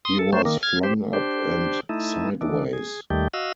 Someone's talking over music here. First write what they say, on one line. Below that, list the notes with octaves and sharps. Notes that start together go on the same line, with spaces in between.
He was flung up and sideways.
C6 D#6
A4
F#3 A3 C5
D#3 A#3
F6 G#6
G4 C5
D4 G4 C5
A3 D#4 E4
D#3 E3 D4
G#4
D#2 D#3 G3 A3 G4
F#4 D#5 F5 E6